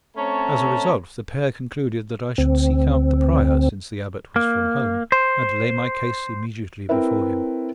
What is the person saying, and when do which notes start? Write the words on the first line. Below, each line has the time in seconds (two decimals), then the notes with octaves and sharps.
As a result the pair concluded that I should seek out the Prior, since the Abbot was from home, and lay my case immediately before him.
0.17 A3 C4 C#4 C#5 A5 A#5
2.38 D2 C4
4.36 A#3
5.12 C5
6.89 C4 E4 A#4 B4 E5